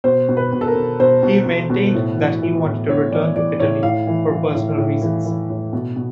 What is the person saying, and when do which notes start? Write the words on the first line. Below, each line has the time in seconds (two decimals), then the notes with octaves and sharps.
He maintained that he wanted to return to Italy for personal reasons.
0.04 B2 C5
0.29 B2
0.37 B4
0.53 B2
0.61 A4
0.68 A#4
0.75 B2
0.99 B2 C5
1.23 B2
1.46 B2
1.70 B2
1.95 A2
2.18 E3
2.42 E3
2.65 A2
2.89 A2 C#5
3.12 E3 D5
3.36 E3 D5
3.60 A2 C#5
3.83 A2 F5
4.07 E3
4.31 E3
4.55 A2
4.78 A2
5.02 E3
5.25 E3
5.50 A2
5.73 B2
5.96 B2